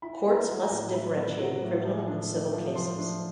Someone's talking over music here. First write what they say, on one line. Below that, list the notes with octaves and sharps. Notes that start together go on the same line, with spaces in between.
Courts must differentiate criminal and civil cases.
E4 B5
B3
A#5
F#3
A#5
A2
E4 B5
B3
F#3
A2
F3
D4
A3
F3
F3 C6
D4